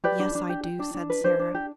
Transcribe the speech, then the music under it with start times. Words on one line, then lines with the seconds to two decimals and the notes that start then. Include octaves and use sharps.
"Yes, I do," said Sara.
0.04 G4 B4 D5
0.19 D4
0.35 D4
0.49 G4
0.64 G4
0.79 D4
0.94 D4
1.10 B4
1.24 D4 C5
1.39 D4
1.55 G4